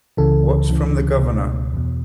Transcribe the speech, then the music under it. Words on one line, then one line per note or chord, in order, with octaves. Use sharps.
What's from the Governor?
C#2 C#3 E3 A4
C#2 C#3 E3
C#2 B2
E2 B2